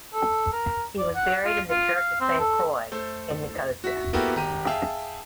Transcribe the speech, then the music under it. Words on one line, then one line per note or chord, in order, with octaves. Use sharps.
He was buried in the Church of Saint Croix in Nicosia.
A4
A#4
D5
F#5
F4
F4
F5
C4
A4
A3 A4 C5
F#4 E5 B6
A#3 B3 E4 F#4 G4 A4
G#1 G4 A#5 D#7
G#4 E5 F5 G5 A5